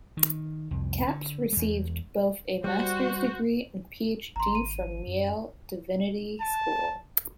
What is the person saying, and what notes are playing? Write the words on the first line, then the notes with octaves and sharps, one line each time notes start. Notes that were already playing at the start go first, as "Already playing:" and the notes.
Capps received both a master's degree and PhD from Yale Divinity School.
D#3
C2 F2
D3
E2 G#3
G3 F#4 C5
G#1 A#5 C6
D#7
F#2
A5